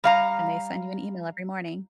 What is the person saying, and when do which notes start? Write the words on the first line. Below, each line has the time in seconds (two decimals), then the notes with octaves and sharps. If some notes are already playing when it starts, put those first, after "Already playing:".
and they send you an email every morning.
0.04 G3 F5 A#5